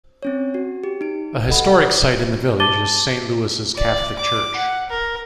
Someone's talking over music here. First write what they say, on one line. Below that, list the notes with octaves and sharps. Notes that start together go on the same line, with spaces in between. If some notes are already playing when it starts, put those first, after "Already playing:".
A historic site in the village is Saint Louis' Catholic Church.
C4 C#4 C#5
F#4
G4
D#4 D7
A4 D#5 F#5 B5
D6
A5 D6 A6 D#7 G7
D5
D6
F#5
A#4